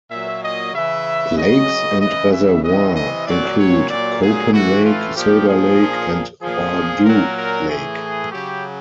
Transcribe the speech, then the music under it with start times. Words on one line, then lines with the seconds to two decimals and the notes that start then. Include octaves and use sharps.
Lakes and reservoirs include Copan Lake, Silver Lake and Bar-Dew Lake.
0.10 A#2 F#3 E5
0.42 D#5
0.74 C#3 E3 E5
1.36 C#3 F#3 D#5
2.00 C#3 E3 D#5
2.32 E5
2.63 C3 E3 D#5
2.94 D#5
3.26 A#2 F#3 D5
3.58 C#5
3.89 A#2 F#3 D5
4.21 G#4
4.52 A2 E3 F#4
4.84 F4
5.15 A#2 F3 G4
5.47 G#4
5.78 A#2 F3
6.41 A#2 F3 G#4
7.04 A#2 F#3 A#4
7.36 A#4
7.68 A2 E3 G#4
8.31 C#3 F#3 G4